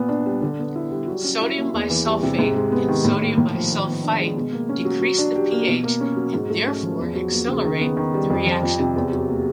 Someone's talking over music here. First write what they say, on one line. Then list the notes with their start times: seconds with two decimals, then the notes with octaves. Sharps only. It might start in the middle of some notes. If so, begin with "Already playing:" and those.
Sodium bisulfate and sodium bisulfite decrease the pH and therefore accelerate the reaction.
Already playing: A#2 B3
0.09 D4
0.26 G3
0.42 D3
0.59 B3
0.76 E4
0.91 G3
1.08 F#3
1.24 C#4
1.41 E4
1.58 A#3
1.74 E2
1.90 E3
2.06 G3
2.23 C3
2.39 G#2
2.56 G#3
2.72 B3
2.88 D#3
3.05 A2
3.21 A#3
3.38 A2
3.54 F3
3.71 D#3
3.87 B3
4.03 D4
4.20 G#3
4.37 B2
4.53 A#3
4.69 C#4
4.85 F#3
5.01 F#3
5.18 D4
5.35 G4
5.52 A#3
5.68 B2
5.84 A#3
6.01 C#4
6.17 F#3
6.34 G#2
6.50 A3
6.66 C#4
6.83 F3
6.99 E2
7.15 F#3
7.32 A#3
7.48 C#3
7.65 D#3
7.81 B3
7.97 D#3
8.14 G3
8.30 F2
8.46 F3
8.63 F2
8.79 C3
8.96 E2
9.13 F#3
9.29 A#3